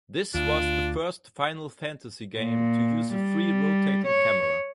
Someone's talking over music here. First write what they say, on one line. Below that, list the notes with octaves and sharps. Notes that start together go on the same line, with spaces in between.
This was the first "Final Fantasy" game to use a free rotating camera.
D2 D4 F4
A#2
G3
C#5